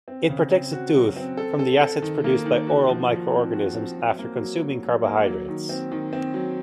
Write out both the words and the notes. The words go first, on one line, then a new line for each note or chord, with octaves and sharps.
It protects the tooth from the acids produced by oral microorganisms after consuming carbohydrates.
C4
C#3
C4
F#4
F#3
C4
A4
A4
A4
D#3
A#3
D#3
F#4
F3
F3
C4
F#4
C4
F#3
A#3
F#3
F#3
F#3
A#3
F#3
D#3
C4
D#3
C4
F#3